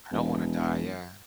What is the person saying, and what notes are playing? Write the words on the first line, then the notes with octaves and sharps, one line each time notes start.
I don't wanna die yeah.
E1